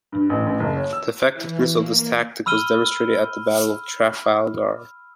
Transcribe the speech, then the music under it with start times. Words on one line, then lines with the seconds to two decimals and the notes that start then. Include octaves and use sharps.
The effectiveness of this tactic was demonstrated at the Battle of Trafalgar.
0.12 G2
0.30 A1
0.46 A1
0.60 F#1
0.76 C#5
0.93 E6
1.34 E3
1.72 A#3
2.46 B5 E6 F6 D#7 G7